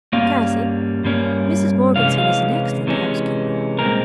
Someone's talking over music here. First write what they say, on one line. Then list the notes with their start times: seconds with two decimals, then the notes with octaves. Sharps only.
"Cassy, Mrs. Morgeson is an excellent housekeeper."
0.13 G2 G3 A#3 C#4 F5
1.04 G2 G3 A#3 C#4
1.96 C3 E3 G#3 C#4 F5
2.18 F5
2.87 C3 E3 G#3 C#4
3.78 C2 A#2 G#3 C4 A#4